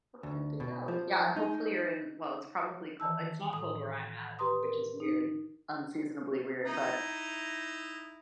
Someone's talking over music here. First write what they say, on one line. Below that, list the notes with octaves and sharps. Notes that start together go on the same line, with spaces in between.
We're good to go. Yeah, hopefully, you're in well, it's probably col it's not cold where I'm at, which is weird, unseasonably weird, but,
D2
B2
F3
D#4
D#3 E3 A5 E6
A2 D#6
G4 B4 A#5 C6 D#6
A#4
D#4
D#4 E4 A#5